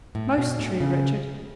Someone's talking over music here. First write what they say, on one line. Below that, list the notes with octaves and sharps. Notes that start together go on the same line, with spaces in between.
'Most true, Richard.
A2
B2
A2
C#3